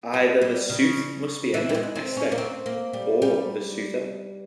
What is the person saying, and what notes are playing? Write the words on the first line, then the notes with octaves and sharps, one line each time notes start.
Either the suit must be ended, Esther - or the suitor.
G3
G3
C#3
E3
G3
G#3
C4
C#4
A#3
C4
A#3
G3
G3